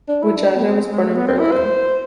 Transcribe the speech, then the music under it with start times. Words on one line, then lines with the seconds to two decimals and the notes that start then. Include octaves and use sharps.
Widjaja was born in Berlin.
0.09 D4
0.22 E4
0.36 D4
0.56 B3
0.68 C4
0.92 G#3
1.04 A3
1.15 B3
1.27 C4
1.40 E4
1.51 C5